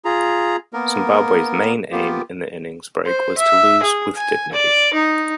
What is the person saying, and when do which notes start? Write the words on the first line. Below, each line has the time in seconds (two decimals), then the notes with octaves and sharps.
Zimbabwe's main aim in the innings break was to lose with dignity.
0.05 F4 G#4 A#5
0.73 A#3 B3 A#4
1.91 A#3 B3 F4 G4
3.06 C5
3.38 E5
3.83 G#4
4.16 G#5
4.52 D5
4.93 D#4